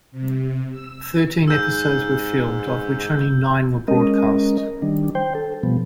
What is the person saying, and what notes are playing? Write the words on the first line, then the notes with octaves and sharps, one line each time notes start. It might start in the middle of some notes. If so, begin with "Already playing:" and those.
Thirteen episodes were filmed, of which only nine were broadcast.
C3
E6
G#2 E6 G6
G#3 C#4 A#4 D#5
D#3 G3 D4
C5 G5
A4
B2 F3 G3 B3